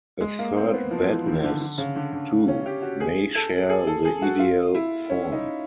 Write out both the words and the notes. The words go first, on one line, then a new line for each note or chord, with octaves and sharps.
A third bedness, too, may share the ideal form.
G#3
A#3
C4
B3
F3
E3
D#3
D3
D3
C#3
D3
D3
C#4
G4
F#4
G#4
A4
G#4
A4
G#4
F#4
F4
E4
C#4
D#4